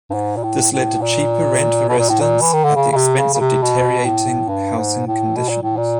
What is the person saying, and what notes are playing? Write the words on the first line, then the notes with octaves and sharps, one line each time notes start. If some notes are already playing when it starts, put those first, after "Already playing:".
This led to cheaper rent for residents at the expense of deteriorating housing conditions.
G2
G#2
A#2
A2
A2
A#2
B2
A#2
A2
A#2
E3
D#3
D3
C#3
C#3
C3
C#3
C#3
C3
B2
A2
G2
G#2
A2
B2
A#2
A2
A#2